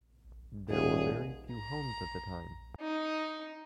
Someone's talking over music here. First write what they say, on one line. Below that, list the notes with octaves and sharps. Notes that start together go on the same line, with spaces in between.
There were very few homes at the time.
D#1 G#4
A#5
D#4